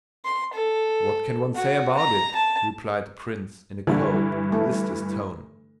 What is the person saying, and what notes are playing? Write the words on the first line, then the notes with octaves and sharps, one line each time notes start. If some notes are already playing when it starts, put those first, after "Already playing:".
"What can one say about it?" replied the prince in a cold, listless tone.
C6
A4
F#4
A#5
A5
G2 D3 E3
A3